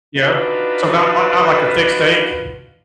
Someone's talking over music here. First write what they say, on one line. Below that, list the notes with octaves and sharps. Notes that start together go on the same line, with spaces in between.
Yeah. So not not not like a thick steak?
D4 D#4 F4 F#4 B4